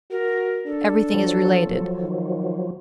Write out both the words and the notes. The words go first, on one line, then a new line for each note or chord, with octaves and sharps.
Everything is related.
F#4 A#4
D4 A4
F3 F#3
D#3